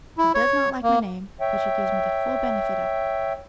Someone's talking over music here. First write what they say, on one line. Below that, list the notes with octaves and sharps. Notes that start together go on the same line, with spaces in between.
She does not like my name, but she gives me the full benefit of it.
E4
C#5
A#3
C#5 E5 G5